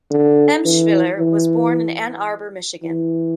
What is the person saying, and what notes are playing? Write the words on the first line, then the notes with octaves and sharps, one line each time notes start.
Emshwiller was born in Ann Arbor, Michigan.
D3
E3
E3
E3